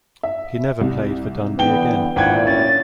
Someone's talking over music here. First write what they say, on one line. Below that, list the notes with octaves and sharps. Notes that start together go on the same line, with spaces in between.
He never played for Dundee again.
E5
C2
D3 E3 B3 G5 G7
G#1 D2 A#2 E4 F#5 G5 G#6
C#4 A6